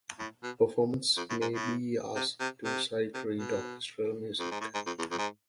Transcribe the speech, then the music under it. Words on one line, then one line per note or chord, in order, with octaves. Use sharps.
Performers may be asked to sight read orchestral music.
A2
B2
F2
A2
G#2
A2
C3
C3
C3
C3
B2
F2
G#2
A2
G#2
F2
E2
F2
G#2